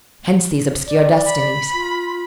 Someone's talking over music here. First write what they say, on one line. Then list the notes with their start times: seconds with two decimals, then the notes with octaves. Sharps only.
Hence these obscure destinies.
0.87 D5
1.27 B5
1.74 F4